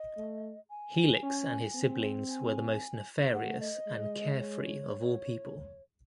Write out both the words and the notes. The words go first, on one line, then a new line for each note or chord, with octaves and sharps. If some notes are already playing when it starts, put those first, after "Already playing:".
Helix and his siblings were the most nefarious and carefree of all people.
Already playing: D#5
A3
G#5
C#4
C4
G#5
A3 F#5
D#5
G#3
C#5